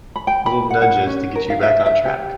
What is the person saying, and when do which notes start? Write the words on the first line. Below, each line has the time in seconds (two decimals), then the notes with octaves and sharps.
little nudges to get you back on track.
0.16 B5
0.27 G5
0.46 B5
0.70 F#5
0.82 F#5
1.07 C#4
1.36 A#4
1.50 F5
1.63 E5
1.86 E5
2.05 G4